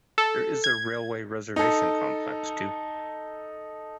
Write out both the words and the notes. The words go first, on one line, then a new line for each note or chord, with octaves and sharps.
There is a Railway Reservation Complex too.
A4
G#6
D#4 A4